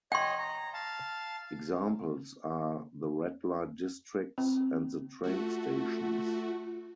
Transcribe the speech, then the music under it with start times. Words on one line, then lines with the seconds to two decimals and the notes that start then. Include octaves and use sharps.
Examples are the red-light districts and the train stations.
0.12 C#5 D#5 G5 C6
0.38 A#5
0.74 F5 A5
4.38 C4
5.24 A3 F4 F#4